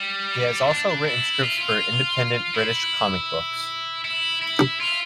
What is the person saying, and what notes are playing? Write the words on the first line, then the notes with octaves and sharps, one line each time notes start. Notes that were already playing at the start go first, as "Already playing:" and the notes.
He has also written scripts for Independent British comic books.
Already playing: G3
E4
D4
E4
F4
F4
E4
E4
E4
F4